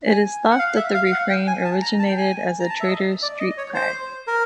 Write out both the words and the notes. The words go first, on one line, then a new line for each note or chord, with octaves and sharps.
It is thought that the refrain originated as a trader's street cry.
G#5
F#5
F5
E5
F5
F5
F#5
G5
G#5
A5
A#5
A5
G5
G#5
A#5
A5
E5
D#5
D5
D#5
C#5
C5
A#4